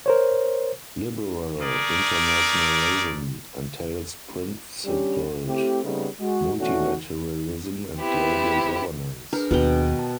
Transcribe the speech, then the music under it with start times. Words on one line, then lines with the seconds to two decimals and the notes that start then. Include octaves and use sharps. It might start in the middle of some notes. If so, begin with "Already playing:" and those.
Liberal internationalism entails principled multilateralism and global governance.
0.06 A#4 C5 C#5
1.60 A3 G#4 A#4 D5 D6
4.85 G3 C#4 D4 G4
5.47 A3 C4 E4 G4
5.83 C#3 G3 A3 B3 C4 D#4
6.20 G#3 F#4
6.58 B2 E3 A3 C#4 D4 F#4
7.99 B3 C4 E4 G4
9.33 D4 G#4 A#4 B4
9.51 D#2 B2 A#4 G5
9.99 A5